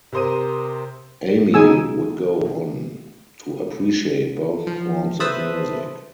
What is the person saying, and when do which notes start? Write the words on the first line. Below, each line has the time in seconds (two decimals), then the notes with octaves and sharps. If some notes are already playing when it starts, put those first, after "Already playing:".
Amey would go on to appreciate both forms of music.
0.12 C3 A#4 C5 D#6 D#7
1.54 D#4 G#4 G#5 E6
4.67 F3
5.20 B4 C5 E5 A5 B5 D#6